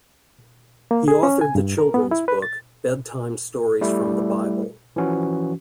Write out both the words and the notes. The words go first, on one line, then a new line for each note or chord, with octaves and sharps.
He authored the children's book, "Bedtime Stories from the Bible".
A#3
G#4
C#4
G#5
G2
A#4
B3
E4
B4
A6
G3 A3 E4
E3 F3 C#4 F#4